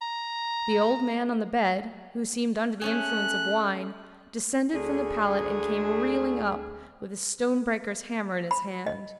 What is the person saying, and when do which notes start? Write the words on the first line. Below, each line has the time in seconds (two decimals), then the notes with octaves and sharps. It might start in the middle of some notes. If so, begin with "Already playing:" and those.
The old man on the bed, who seemed under the influence of wine, descended from the pallet and came reeling up, with a stone-breaker's hammer in his hand.
0.02 A#5
2.81 A3 C#4 G#4 F#6
4.74 D2 D3 A3 G#4
8.51 B5
8.86 D#5